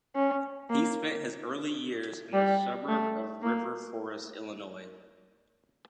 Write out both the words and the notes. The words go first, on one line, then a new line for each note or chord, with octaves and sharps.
He spent his early years in the suburb of River Forest, Illinois.
C#4
A#3
G3
A3
A#3